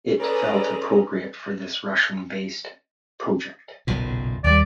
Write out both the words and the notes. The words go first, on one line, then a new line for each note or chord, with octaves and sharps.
It felt appropriate for this Russian-based project.
C#4 G#4 A4 B4 D5 A#5
F#1 B1 A#2
D#2 G3 D5